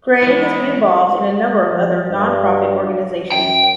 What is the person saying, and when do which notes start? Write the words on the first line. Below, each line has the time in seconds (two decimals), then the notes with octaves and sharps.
Grey has been involved in a number of other nonprofit organisations.
0.22 E3 G#3 B3 C4 E4
1.72 F3
2.10 G2
3.32 F#2 G5